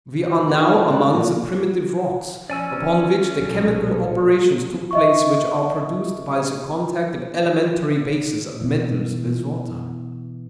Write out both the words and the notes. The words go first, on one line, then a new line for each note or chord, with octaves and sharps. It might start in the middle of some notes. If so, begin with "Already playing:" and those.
We are now among the primitive rocks, upon which the chemical operations took place which are produced by the contact of elementary bases of metals with water.
C5
D4 E4 F#4 G#4 B4
D3 A#3 D4 F#4
G#2 G3 G#3 B3 C4 D4
A#2 A#3 C#4 E4
F3 C#4 D5 G#5 E6
B1 A#2 A#3 A4
D#5 E5 C#6
B2 E3